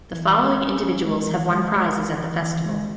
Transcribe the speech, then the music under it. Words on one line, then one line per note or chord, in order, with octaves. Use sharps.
The following individuals have won prizes at the festival.
E3
G#3
C#4
C#4
G#3
E3
G#3
G#3
E3
E3
E3
G#3